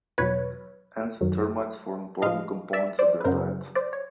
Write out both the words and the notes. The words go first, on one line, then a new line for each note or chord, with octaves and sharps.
Ants and termites form important components of their diet.
E2 B2 F#3 B4 C#5
F#2 D#3 F#3
A2 F3 D#5 F5
D5 E5
C5 D5
B4
F#2 C#3 F#3 A#4 C5
C5 D5
C#5